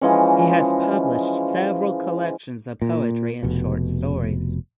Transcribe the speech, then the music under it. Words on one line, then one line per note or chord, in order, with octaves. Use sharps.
He has published several collections of poetry and short stories.
E3 F3 G#3 C#4
A#2
F1 B2